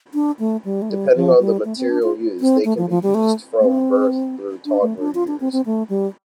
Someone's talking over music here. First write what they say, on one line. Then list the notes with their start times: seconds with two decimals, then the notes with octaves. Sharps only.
Depending on the material used, they can be used from birth through toddler years.
0.14 D4
0.39 A3
0.65 G3
0.82 A3
0.90 G3
1.15 F3
1.40 G3
1.65 A3
1.78 C4
1.89 D4
2.02 F4
2.40 C4
2.64 A3
2.78 F3
2.90 F3
3.03 G3
3.14 A3
3.60 A3
3.65 C4
4.65 D4
4.82 A3
4.99 D4
5.15 F4
5.27 D4
5.40 C4
5.52 C4
5.66 A3
5.89 G3